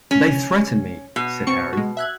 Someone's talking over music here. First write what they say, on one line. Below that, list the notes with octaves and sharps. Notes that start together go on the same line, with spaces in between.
"They threaten me," said Harry.
C#4
B2
C4 C#6 C#7
G#3 F#4
E5 F#6 G#6